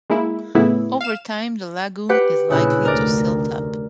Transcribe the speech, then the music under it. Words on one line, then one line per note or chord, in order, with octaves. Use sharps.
Over time the lagoon is likely to silt up.
G#3 A#3 E4
A2 C#3 E3 B3 E4
F5 E7
G4 B4 F#5
A#1 C#3 E4 F#6
F1 D2 A#4 D5